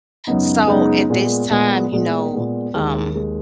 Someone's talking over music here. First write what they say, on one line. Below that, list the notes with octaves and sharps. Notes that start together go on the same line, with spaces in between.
So, at this time, you know, um,
F#2 C#3 G#3 B3 D#4
F#2 C#3 G#3 B3 D#4
A#2 G#3 B3
A#2 G#3 B3
A#2 G#3 B3
A#2 G#3 B3
D#2 D#3 G#3
D#2 D#3 G#3